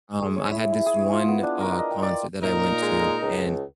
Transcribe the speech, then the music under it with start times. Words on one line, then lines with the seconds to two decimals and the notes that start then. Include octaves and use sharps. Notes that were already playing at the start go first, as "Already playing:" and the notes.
Um, I had this one, uh, concert that I went to and,
0.22 G#4
0.36 C#5
0.51 E4
0.73 E4
0.86 G#4
1.12 F4
1.28 B3
1.43 D4
1.60 A#4
1.78 D#5
1.91 G5
2.03 D5
2.43 A#2 D#4 A#4
2.82 G#3
3.21 C#2